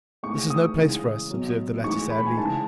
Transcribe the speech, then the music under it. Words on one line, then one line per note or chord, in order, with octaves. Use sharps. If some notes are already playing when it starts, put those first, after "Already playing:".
'This is no place for us,' observed the latter sadly.
A2 G#3 C#6
D#6
C#3 E3 G#3
B2 F#3
A2 E3 G#3 C#6
B5
G#5
C#3 E3 G#3 A5